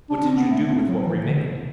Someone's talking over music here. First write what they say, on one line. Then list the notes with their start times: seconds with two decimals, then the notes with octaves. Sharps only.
"What did you do with what remained?"
0.10 D4
0.24 C4
0.37 B3
0.50 A3
0.68 C4
0.88 F#3
1.06 E3
1.25 D3
1.44 C3